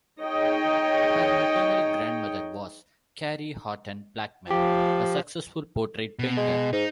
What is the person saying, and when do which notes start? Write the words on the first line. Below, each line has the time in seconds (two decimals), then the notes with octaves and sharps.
Her maternal grandmother was Carrie Horton Blackman, a successful portrait painter.
0.22 D#4 G#4 C#5 D#5 G5
4.51 F3 G4
6.19 B2
6.37 G#3
6.73 G#2 D#4